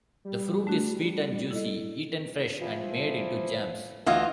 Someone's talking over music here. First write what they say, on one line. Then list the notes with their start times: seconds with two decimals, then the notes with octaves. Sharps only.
The fruit is sweet and juicy, eaten fresh and made into jams.
0.25 G3
0.67 A3 D4 F#4
1.51 E4 A4 D#5
2.61 E3 F3
4.06 D2 E3 F4 D#5 F5